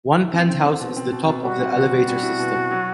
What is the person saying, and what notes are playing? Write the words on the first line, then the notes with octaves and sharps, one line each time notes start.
One penthouse is the top of the elevator system.
E4
C4
C4
C4
B2
C4
B2
B2
G3 F#4
C4
B2
G3
G3
E4
B2
B2
F#3